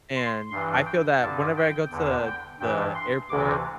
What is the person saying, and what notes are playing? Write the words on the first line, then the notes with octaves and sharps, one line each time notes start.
And I feel that whenever I go to the airport,
C6
G2 E3 C6
G5
G2 D3 A5
G5
E2 D3
G5
G2 E3 G5
C6
D2 C3 E3 D6